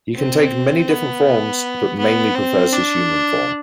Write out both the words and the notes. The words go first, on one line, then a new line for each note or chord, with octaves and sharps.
He can take many different forms but mainly prefers his human form.
C4
B3
B3
C4
D4